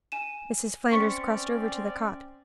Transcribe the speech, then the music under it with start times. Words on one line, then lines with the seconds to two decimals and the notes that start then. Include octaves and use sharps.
Mrs. Flanders crossed over to the cot.
0.12 G#5 D#7 E7
0.91 C4 C#4 D5 C#6 B6 C#7